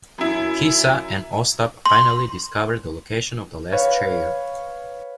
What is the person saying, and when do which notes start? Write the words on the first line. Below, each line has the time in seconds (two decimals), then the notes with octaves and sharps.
Kisa and Ostap finally discover the location of the last chair.
0.18 F#2 E4
1.86 C6
3.72 B4 C#5 F5